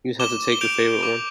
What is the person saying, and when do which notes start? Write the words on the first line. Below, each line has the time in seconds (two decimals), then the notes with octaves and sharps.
You'd have to take your favorite one.
0.20 D6 E7 G7
0.52 G7
0.61 G6 D7 F7
1.03 D6